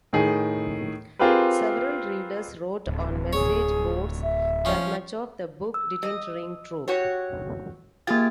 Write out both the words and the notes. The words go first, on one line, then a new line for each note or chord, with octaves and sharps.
Several readers wrote on message boards that much of the book didn't ring true.
A2 D#3 G#4
C4 F4 G4 G#4 A#4 B4
D1
G#4 C#5
E5
F3 C#4
E6
D#5
F#4 G4 C#5
A#3 F4 G4 G#4 A6